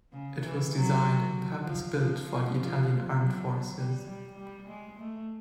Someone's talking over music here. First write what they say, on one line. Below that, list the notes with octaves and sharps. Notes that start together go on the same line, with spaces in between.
It was designed and purpose-built for the Italian armed forces.
C#3
E3
F#3
F3
F3
F3
F3
F#3
G3
G3
G3
G#3
A3